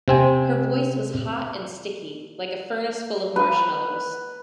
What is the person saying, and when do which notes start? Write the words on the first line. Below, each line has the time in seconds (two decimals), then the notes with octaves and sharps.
Her voice was hot and sticky--like a furnace full of marshmallows.
0.08 C3 C4 G#5
3.36 B4